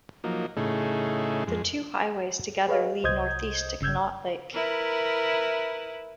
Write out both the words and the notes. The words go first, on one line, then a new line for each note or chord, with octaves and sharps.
The two highways together lead northeast to Conneaut Lake.
F3 F#3 A#3 D#4
A2 C#3 A3 D#4 E4 G#4
F2 G#3
G#4 B4 C#5 D#5 F5
C2 C5 D#5 D#6 G6 G#6
G1 C#3 E6 G6 G#6
E4 A#4 B4